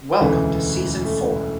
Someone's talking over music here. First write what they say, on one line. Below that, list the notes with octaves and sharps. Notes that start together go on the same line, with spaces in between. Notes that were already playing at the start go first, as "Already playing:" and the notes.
Welcome to season four!
E1 D2 C#3 E3 A3
A3